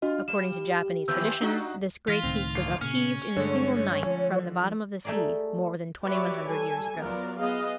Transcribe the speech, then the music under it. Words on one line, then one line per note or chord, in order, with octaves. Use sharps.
According to Japanese tradition this great peak was upheaved in a single night from the bottom of the sea, more than twenty-one hundred years ago.
D4 F4 F#4 D#5
G3 E7
D#2 E3 E6 G6
D4 D#4 F#4
E3 F4 F6 A#6 B6
C#2 A2 D#3 C4
G1 C7
A#2 C#3 C#4 F6
G2 D3 G#3 A3 C#5
F3
A3 G4 G#4 A#4 D5
F#4 G4 B4 C#5 D5 E5
G3 A4 G#5
F#3 B3 F4 A#4 D5
B3 G#4 D#5 F5